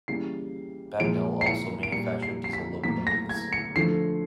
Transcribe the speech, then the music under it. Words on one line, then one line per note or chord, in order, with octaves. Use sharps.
Bagnall also manufactured diesel locomotives.
C#3 E3 G3 A#3 C7
A#2 F3 G#3 D7
C7
C#7
D7
A#2 G3 A#3 C#7
C7
C7
B6
A2 F#3 A#3 B6
A#6
G#6
C#7
D3 F3 A3 C7